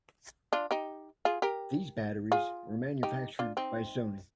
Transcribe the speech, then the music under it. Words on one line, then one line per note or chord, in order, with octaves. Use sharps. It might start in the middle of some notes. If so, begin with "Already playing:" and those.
These batteries were manufactured by Sony.
D4 F4
D#4 G4
F4 G#4
G4 A#4
F4 G#4
D#4 G4
D4 F4
C4 D#4